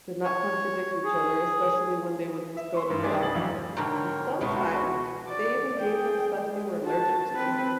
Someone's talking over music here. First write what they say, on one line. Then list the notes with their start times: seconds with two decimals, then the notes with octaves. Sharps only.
did not contradict each other, especially when they would just go to the doctor. And sometimes they even gave them stuff they were allergic to.
0.24 C#5
1.05 G#4
2.57 E5
2.74 C6 C#6
2.90 G2
3.03 A3 D4 G4 G#4 D5 G#5
3.20 C2 G3 G#4 A6 F#7
3.34 A1 F2 F#3 F5 F#7
3.77 G#2 B2 D3 A#4 C#5 G5
4.41 C#2 B2 G#3 A3 F#4 B4 C6
5.28 D5
5.80 G#4 G5
6.46 G#3
6.85 F#4 A5
7.32 C4 B4